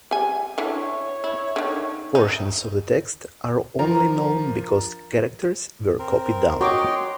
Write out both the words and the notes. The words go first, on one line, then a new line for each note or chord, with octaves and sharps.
Portions of the text are only known because characters were copied down.
G3 G#5
D3 E3 C#5
E4
D3 D#3
D#4
F3 D4 A#4 A#5
C4 A#4
F#4 C#5 D#5 G5 C6 D6